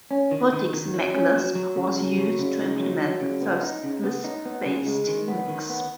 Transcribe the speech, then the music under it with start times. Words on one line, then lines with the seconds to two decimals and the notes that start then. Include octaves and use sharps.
Multics Maclisp was used to implement the first Lisp-based Emacs.
0.11 C#4
0.31 D#3
0.53 D#3
0.73 D#3
0.94 F#3
1.14 C#4
1.36 F#3
1.55 F#3
1.76 C#3
1.97 F#3
2.17 F#3
2.39 C#3
2.59 D#4
2.79 F#3
3.01 F#3
3.21 C#3
3.42 B3
3.63 D#4
3.83 C#3
4.04 B3
4.24 D#4
4.45 B3
4.65 C#3
4.87 G#3
5.07 D#3
5.28 B3
5.48 D#3
5.70 B3